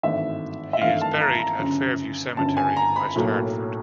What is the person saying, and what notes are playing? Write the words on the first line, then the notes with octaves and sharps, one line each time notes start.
He is buried at Fairview Cemetery in West Hartford.
G#1 G2 E3 A3 E5
E5
G#1 G2 E3 A3 F5
A5
A#5
A#5
G1 F#2 C#3
G1 F#2 C#3 A5
G#5
A#5
B5
B1 A2 F#3 A#3